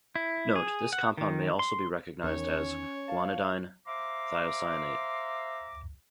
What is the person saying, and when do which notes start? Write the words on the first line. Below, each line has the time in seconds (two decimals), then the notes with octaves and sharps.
Note: this compound may also be recognized as guanidine thiocyanate.
0.16 E4
0.56 G#4
0.93 F#5
1.17 D#3
1.59 C6
2.24 E2 D#3 C#4 C#5
3.08 F5 A5
3.87 C5 E5 F5 A#5 C6 D6